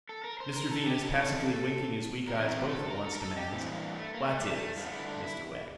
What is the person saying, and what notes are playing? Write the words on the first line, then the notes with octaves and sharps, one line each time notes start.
Mr Venus, passively winking his weak eyes both at once, demands: 'What is, Mr Wegg?'
A4
A#4
C5
A#4
A4
G4
F2 E3 A4
E2 C3 E3 A#4
A#4
G4
A4
A#4
A4
A#4
A4
G4
G2 E3 C4
A#3
A3
A#3
A3
G3
A3
G2 D3 F4
E4
D4
E4